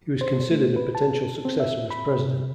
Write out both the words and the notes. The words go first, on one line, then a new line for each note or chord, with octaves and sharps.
He was considered a potential successor as President.
C5
A3
B4
A5
C4
E5
B5
C3